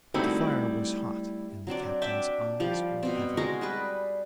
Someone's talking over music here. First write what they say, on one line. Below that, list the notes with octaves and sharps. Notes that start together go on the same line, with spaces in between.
But the fire was hot, and the captain's eyes were heavy.
G3 A3 C4 D#4 E4 F#4
F#3 C4 D4 D5
D4 E5 G5 D6
F3 G3 G4
B2 C4
G#3 F#4 A#4
G3 G#4 B4